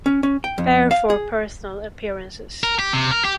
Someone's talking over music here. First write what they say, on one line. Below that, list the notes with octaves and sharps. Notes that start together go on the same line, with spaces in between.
Bear for personal appearances.
C#4
C#4
G5
F2
F5
G#4
A#4
G4
C3
A#4
G4